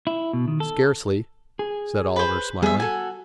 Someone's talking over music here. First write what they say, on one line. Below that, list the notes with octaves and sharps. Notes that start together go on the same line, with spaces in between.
"Scarcely," said Oliver, smiling.
E4
B2
D#3
A4
G#4
B4 C5
G3 B3 G#4 E5
F#4 A4 G#5